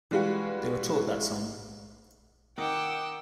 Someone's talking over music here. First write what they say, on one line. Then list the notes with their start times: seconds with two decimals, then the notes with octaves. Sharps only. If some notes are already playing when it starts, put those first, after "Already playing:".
They were taught that song.
0.11 E3 G3 G#3 F4 F#4 B4
2.58 D#3 D#4 F#5 G5 D6 E6